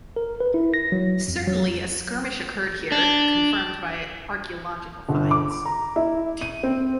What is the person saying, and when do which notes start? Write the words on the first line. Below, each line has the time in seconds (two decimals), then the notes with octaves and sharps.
Certainly a skirmish occurred here, confirmed by archaeological finds.
0.16 A#4
0.40 B4
0.54 E4
0.74 A#6
0.92 F#3
1.28 F2
1.47 F#3
2.92 D4
5.09 G1
5.31 D6
5.65 A#5
5.96 E4
6.41 D#7
6.63 C4